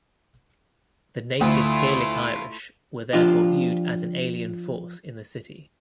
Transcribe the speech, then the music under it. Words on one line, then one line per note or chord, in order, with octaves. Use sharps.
The native Gaelic Irish were therefore viewed as an alien force in the city.
D2 A3 E4 F4
F3 D4 F4 G4